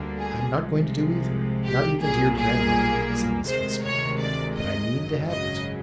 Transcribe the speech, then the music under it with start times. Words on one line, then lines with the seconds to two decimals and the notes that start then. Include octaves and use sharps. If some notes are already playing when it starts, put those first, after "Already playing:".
'I am not going to do either, not even to your Grandmother,' said Mr Inspector; 'but I mean to have it.
Already playing: D2 D3 G3 A#3
0.18 G#4
0.54 C2 C3 F3 G#3
1.65 G4
2.01 B1 A#2 G3 A#3 G#4
2.37 G#4
3.47 D2 C3 D#3 G#3 C5
3.84 C#5
4.20 D5
4.57 D#5
4.94 G#1 F#2 C#3 F#3
5.30 D#5